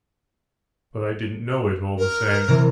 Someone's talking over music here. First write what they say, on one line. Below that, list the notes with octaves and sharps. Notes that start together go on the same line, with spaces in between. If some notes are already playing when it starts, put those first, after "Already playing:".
But I didn't know it, all the same.
A#4
C3 E3